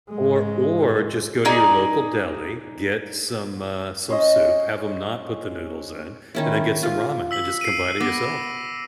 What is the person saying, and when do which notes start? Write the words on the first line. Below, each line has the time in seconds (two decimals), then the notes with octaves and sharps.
Or or just go to your local deli, get some, uh some soup, have ‘em not put the noodles in, and then get some ramen, and just combine it yourself.
0.11 G#2 G#3
1.45 D#4 G#4 D5
4.09 C#4 C5 D#5
6.35 D#3 C#4 E4
6.83 F4
7.31 E6 B6 F#7
7.61 C7 D7 D#7
8.01 B3 D6 A#6 D7